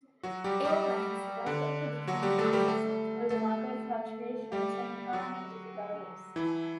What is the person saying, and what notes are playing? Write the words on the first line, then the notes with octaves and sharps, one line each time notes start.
Airlines, like any business, are susceptible to market fluctuations and economic difficulties.
F#3 F#4
G3 G4
G3 G4
D3 D4
F#3 F#4
G3 G4
A3 A4
G3 G4
A3 A4
A3 A4
G3 G4
F#3 F#4
E3 E4